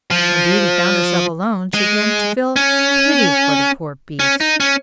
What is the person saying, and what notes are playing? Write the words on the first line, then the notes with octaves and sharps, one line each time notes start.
When Beauty found herself alone, she began to feel pity for the poor beast.
F3
G#3
C#4
C#4
D#4
C#4